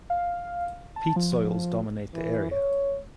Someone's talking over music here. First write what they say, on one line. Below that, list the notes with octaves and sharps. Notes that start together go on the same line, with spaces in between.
Peat soils dominate the area.
F5
A5
F3
E3
C#5